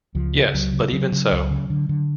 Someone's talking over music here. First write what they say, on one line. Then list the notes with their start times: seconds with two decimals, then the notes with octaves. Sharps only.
Yes, but even so.
0.15 C#2 F3
0.34 C#3
0.54 C#2 F#3
0.73 C#3
0.92 C#3 F#3
1.12 C#3
1.31 C#2
1.51 C#3
1.70 D3
1.89 D3